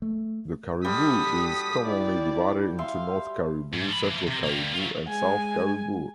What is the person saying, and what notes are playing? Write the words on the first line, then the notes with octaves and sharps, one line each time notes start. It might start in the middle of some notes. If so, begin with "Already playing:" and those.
The Cariboo is commonly divided into North Cariboo, Central Cariboo and South Cariboo.
A3
G3 F#4 A4 D#6 B6
E4 D5
E5 F5 C6
G#2
F3 B5
E3 F3
C3
G3 A#3
F#3 F4
G#3 G#5